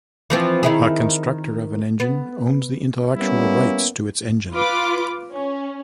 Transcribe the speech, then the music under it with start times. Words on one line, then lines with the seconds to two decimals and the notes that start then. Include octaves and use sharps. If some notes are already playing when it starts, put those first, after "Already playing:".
A constructor of an engine owns the intellectual rights to its engine.
0.30 E3 F3 C4
0.63 D#3 E4 G#4
2.00 B3
3.15 G3 A#3 B3 C#4 E4
4.53 F4 B4 D6
5.33 C#4